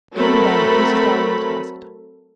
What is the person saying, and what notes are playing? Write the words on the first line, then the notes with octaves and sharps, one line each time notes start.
Even then Mrs. Darling was placid.
F#3 A3 C4 A4 A#4 B5